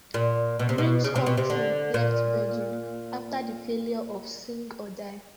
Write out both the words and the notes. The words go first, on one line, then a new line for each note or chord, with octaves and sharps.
Dreams Come True left Virgin after the failure of "Sing or Die".
A#2
B2
C3
B2
C#3
C3
B2
C3
D3
A#2